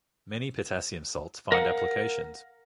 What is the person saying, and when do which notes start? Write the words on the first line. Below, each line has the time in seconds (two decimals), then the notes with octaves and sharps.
Many potassium salts find applications.
1.52 A#4 F5 F#5